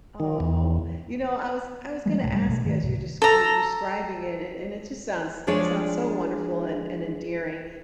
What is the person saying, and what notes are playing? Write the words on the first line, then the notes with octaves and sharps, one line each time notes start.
Oh. You know, I was I was gonna ask you as you're desc you're describing it, and and it just sounds it sounds so wonderful and and endearing.
D#3
E2
E3 G3 G#3 A#3
C#2 A2 C3 A3
G3
B1 B2 A3
G#2 D#3
C2 C3
A4 A#5
F3 G#3 D4 G#4 C#5 D5